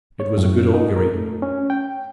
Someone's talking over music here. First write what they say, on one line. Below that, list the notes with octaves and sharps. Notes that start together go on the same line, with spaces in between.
It was a good augury.
C#5
F#2
D#4
A#4
A3
C#4
G5